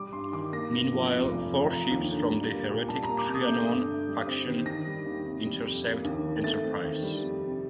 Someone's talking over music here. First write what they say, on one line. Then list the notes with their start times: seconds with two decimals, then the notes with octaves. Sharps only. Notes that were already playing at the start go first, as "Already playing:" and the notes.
Meanwhile, four ships from the "heretic" Triannon faction intercept "Enterprise".
Already playing: G3 D6
0.12 G2 C6
0.32 D#3 D6
0.52 A#3 A#6
0.73 G2
0.93 F3
1.11 C3
1.31 F1
1.51 F2
1.71 F3 A#5
1.91 D#2
2.10 D3
2.30 G3
2.49 A#3
2.69 A#2
2.88 G3 A5
3.03 A#5
3.09 A#3
3.18 D6
3.28 C3
3.34 D#6
3.48 A3 G6
3.68 G2
3.87 D3
4.07 G3
4.27 C4
4.46 D#3
4.66 D#3 A#6
4.87 G3
5.06 D#2
5.26 C3
5.45 G3
5.65 F2
5.85 A#3
6.05 D#2
6.24 D#3
6.44 A3 A6
6.64 C4
6.84 D#3
7.02 G3
7.23 F2
7.42 C3